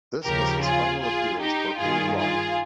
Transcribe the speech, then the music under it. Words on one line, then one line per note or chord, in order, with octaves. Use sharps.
This was his final appearance for Uruguay.
D#2 C#3 F3 G4 A#4
F4 G#4
F4 G#4
D#4 G4
G2 D#3 F4 G#4
F4 G#4